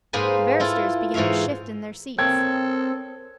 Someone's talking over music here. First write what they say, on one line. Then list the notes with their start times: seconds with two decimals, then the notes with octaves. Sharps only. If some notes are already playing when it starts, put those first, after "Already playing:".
The barristers began to shift in their seats.
0.13 G#2 A#3 G#4 B4 C5 G#5
0.60 E4 F4 A4
1.14 G#2 E3 C#5 E5 F5
2.19 C4 A4 A#4 C#5 G5 G#6